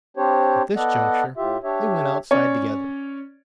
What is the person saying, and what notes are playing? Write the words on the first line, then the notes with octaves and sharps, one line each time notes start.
At this juncture they went outside together.
C4 D4 G4 C5 C#5
B3 A4 D5 D#5 F#5
A2 F4 G4 E5
D4 G4 C#5 E5
C#4 C#5 D5